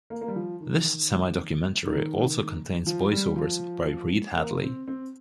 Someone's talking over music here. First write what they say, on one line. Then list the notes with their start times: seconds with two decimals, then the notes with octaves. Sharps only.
This semidocumentary also contains voice-overs by Reed Hadley.
0.10 A#3
0.21 A#3
0.28 G3
0.36 F3
0.60 D#3
1.85 D#3
2.86 F3
3.12 G3
3.36 F3
4.37 A#3
4.63 C4
4.88 C4